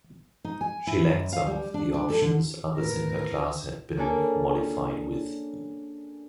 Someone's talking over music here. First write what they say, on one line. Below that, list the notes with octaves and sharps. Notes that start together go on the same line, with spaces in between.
She lacked some of the options others in her class had been modified with.
D#4
G#5
E4
F#2
F5
G3
D4
D4
A4
D3
E2 A2 A#4 B4
A#3 C#4 D4 G#4 A4